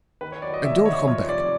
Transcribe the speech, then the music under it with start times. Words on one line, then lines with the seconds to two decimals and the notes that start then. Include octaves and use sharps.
And don't come back.
0.21 D#3 B4
0.32 C#5
0.42 F#3 D5
0.54 D#5
0.64 D#2 E5
0.86 F#3 C#5
1.07 F3 C#5
1.29 F1 D5